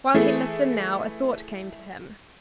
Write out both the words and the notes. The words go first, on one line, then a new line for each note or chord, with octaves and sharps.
While he listened now a thought came to him.
E3 A3 E4 G#4